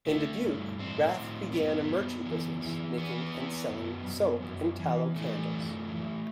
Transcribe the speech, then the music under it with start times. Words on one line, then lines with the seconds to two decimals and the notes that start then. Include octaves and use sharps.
In Dubuque, Rath began a merchant business, making and selling soap and tallow candles.
0.07 D3 A3
0.43 G2
0.79 A2 C4
1.17 A2
1.52 F#2 B3
1.89 F#2
2.26 E3
2.61 E3
2.97 E2 B3
3.35 E2
3.70 F#2
4.07 F#2
4.43 F#2
4.80 E3
5.16 E3 A3
5.52 F#2
5.88 E3